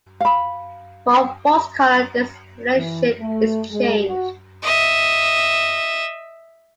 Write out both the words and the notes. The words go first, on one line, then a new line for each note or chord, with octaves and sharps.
For false color this relationship is changed.
F5 B5
E3
A3
G#3
F#4
D#5 E5